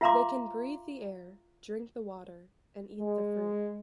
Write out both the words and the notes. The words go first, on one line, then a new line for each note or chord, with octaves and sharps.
They can breathe the air, drink the water and eat the fruit.
F4 E5 F5 A#5 C6 D6
G#3